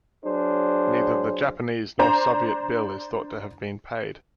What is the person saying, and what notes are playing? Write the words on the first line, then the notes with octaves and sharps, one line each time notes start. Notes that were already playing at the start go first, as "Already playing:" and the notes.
Neither the Japanese nor Soviet bill is thought to have been paid.
F#3 D4 G#4 C5
D4 C5 A#5